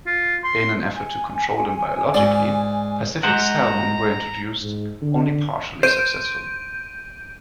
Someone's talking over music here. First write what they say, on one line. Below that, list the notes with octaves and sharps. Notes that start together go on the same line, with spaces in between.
In an effort to control them biologically Pacific salmon were introduced, only partially successfully.
F4
C6
G#5
G#2 D5
G#3 C5 F#5 A#5
G#2
D3
C5 G6 D7 D#7